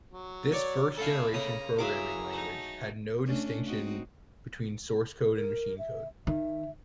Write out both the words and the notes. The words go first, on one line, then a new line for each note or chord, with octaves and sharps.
This first-generation programming language had no distinction between source code and machine code.
F#3
C#5 D5
A3 D4 G#4 A4 F5 B5
C#3 A#3 A#5 D#6
E3 F#3 G#4 E5 F5 A#5 D6
A3 D#4
A3 C#4 D4
C4 D#4 F#4
A#4
E5
D#3 E5